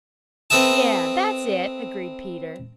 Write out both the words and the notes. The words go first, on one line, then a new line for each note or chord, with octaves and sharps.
"Yes, that's it," agreed Peter.
C4 A4 B4 D#5 E5 A5